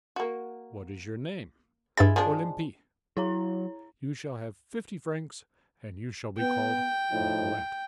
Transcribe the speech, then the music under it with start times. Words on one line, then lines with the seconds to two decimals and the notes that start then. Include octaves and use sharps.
"What is your name?" "Olympie." "You shall have fifty francs, and you shall be called Nicolette."
0.16 A#3 F#4
1.97 G2 G#3 E4 F4 A6
2.16 F3 G#3 D4
3.17 F#3 E4 C#5 A#5
6.38 B3 G5
7.10 A2 F3 D#4